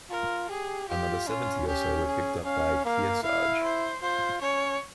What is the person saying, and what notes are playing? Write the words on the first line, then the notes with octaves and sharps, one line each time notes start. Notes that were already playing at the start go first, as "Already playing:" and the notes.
Another seventy or so were picked up by "Kearsarge".
F4 A#4
G4 G#4
F4 G4
C#4 F4
C#4 G4
G#4
C#4 F5
A#3 F5
E4 F5
C5
F4 C5
C#4 C#5